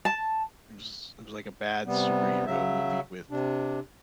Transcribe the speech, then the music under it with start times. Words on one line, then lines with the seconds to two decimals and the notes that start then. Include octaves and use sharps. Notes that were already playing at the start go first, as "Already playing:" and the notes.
it was it was like a bad superhero movie with,
0.05 A5
1.86 C3 G3 B3
2.46 C#3 F#3 E5
3.31 C3 D4